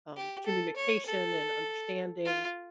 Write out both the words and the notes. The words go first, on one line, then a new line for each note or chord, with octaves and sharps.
um, communication and understanding.
G4
A4
C#5
A4
F4